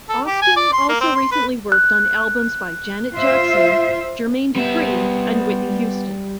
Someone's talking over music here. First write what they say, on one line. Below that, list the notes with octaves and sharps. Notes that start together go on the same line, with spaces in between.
Austin also recently worked on albums by Janet Jackson, Jermaine Dupri, and Whitney Houston.
A4
G4
G#5
D5
C6
A#3
C4
C6
B4
F#6
F4 C5 E5
G3 B3 E5